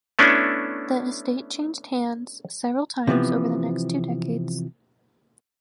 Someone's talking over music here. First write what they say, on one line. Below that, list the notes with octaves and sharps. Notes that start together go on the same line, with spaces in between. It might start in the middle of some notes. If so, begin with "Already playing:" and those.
The estate changed hands several times over the next two decades.
A3 B3 C#4 D4 E4
C3 E3 F3 B3